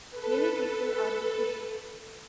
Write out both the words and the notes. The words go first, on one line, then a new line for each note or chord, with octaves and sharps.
Many people are in Fiji.
A4 B4